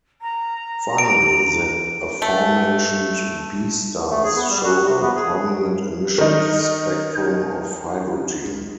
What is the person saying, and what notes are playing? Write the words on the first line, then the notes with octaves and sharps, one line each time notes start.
Finally, the aforementioned Be stars show a prominent emission spectrum of hydrogen.
A#5
D7
A3
A3
G#4
B3
G3
F#4
C3
B3
G#4
D#3 D#4